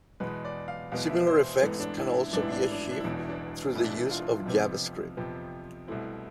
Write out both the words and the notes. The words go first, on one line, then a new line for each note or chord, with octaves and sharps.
Similar effects can also be achieved through the use of JavaScript.
E2 B2 G#3 B3 B4
D5
F5
E2 B2 G#3 B3 F5
E5
C5
A1 G#2 E3 B3 A4
D4
E4
E4
A1 G#2 E3 B3 D4
E4
D4
E4
D4
E4
D4
E1 E2 B2 E4
D4
E4
D4
E1 E2 B2 E4
D4
E4
F4
F2 C3 F3 B3
F2 C3 F3 B3
C2 B2 A3 C4 E4